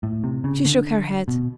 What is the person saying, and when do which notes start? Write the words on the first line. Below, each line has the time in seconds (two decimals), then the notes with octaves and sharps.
She shook her head.
0.03 A2
0.24 C3
0.44 C#3
0.65 D3
1.28 B2